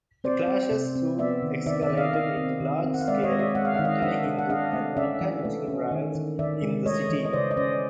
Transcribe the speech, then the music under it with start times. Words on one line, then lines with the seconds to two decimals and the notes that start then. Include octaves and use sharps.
The clashes soon escalated into large-scale anti-Hindu and anti-Muslim riots in the city.
0.24 C4 C5 D5
0.47 C4
0.71 C3
0.96 C4
1.19 B3 D5 E5
1.43 D#3
1.66 D#3 D5 E5
1.81 D5 E5
1.90 D#3
1.97 D#5 F5
2.13 D#3 D#5 F5
2.37 C4
2.61 D#3
2.84 C4
2.94 F#5
3.01 F5
3.08 G#3 D5 E5
3.23 C#5 D#5
3.31 G#3
3.39 D5 E5
3.55 G#3 F#5
3.65 F5
3.74 D#3 E5
3.84 D#5 F5
4.02 D4 E5 F#5
4.26 D4
4.39 F#5
4.50 D4 D#5 F5
4.73 A3
4.97 C#4 D5 E5
5.21 E3
5.45 A3
5.68 C#4
5.91 D#3
6.15 D#3
6.39 D#3 D5 E5
6.62 G#3
6.86 A3 C#5 D#5
7.10 E3
7.25 D#5
7.33 C#3 C5 D5
7.51 D#5
7.57 C#4 C5 D5